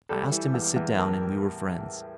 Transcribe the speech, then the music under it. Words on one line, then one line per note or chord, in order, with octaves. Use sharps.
I asked him to sit down and we were friends.
G3 A4
E3
E2
E2
A2 A#4
G3